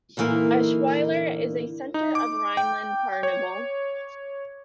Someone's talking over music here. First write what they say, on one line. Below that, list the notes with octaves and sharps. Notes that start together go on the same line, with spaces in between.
Eschweiler is a center of Rhineland carnival.
A#2 D3 E3 A#3 D#4
D#4
D6
G5
C#5